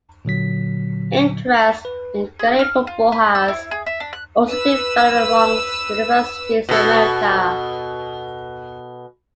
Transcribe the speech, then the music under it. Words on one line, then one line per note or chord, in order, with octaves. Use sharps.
Interest in Gaelic Football has also developed amongst universities in America.
A#2 D3 F#3 B6
B4
G#4
F6
F4
B4
E6
E4
G#4
E5
D4
F#6
B4 E6
B2 A4